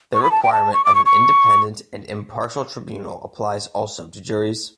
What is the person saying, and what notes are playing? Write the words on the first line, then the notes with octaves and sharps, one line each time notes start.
The requirement of an independent and impartial tribunal applies also to juries.
C#6
B5
A5
G5
A5
C#6
D6
C#6
C#6